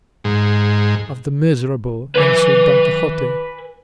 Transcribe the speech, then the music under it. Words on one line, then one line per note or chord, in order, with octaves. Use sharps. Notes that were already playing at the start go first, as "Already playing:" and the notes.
"Of the miserable," answered Don Quixote.
G#2
B4 G#5